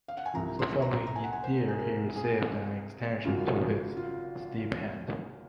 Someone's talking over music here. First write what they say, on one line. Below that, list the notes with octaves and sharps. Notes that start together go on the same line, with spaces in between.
The following year he received an extension to his stipend.
F5
F#5
G#5
C2 C3 F3 A#5
C6
A#5
A#5
G#5
F#5
G#5
C5
G#4
A#4
G#4
G#1 F#2 C#3 F#3 F4
F4